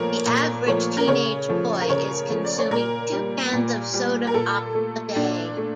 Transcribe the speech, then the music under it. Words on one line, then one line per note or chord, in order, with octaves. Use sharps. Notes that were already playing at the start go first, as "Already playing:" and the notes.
The average teenage boy is consuming two cans of soda pop a day.
Already playing: A#2 F3 A3 A#4 C#5
A#2 A#4
F3 A3 C#5
A#4
C#3 C#5
F3 A3
A#4
C#3 C#5
F3 A3
D5
C#5
A#2 A#4
G3
A#2
G3
A#4
A#2 A4
A3
A#2 D4
A3